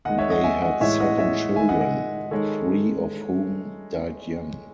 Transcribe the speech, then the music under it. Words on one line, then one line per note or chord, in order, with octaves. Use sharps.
They had seven children, three of whom died young.
D#3 G#3 D#5 F#5
C#5 E5
D#5 F#5
E5 G#5
D#5 F#5
A2 E3 G#3 C#5 E5
D#5 F#5
C#5 E5
D#3 E5 G#5
G#3
D#5 F#5
D#5 F#5
D#3 G#3 A4 C#5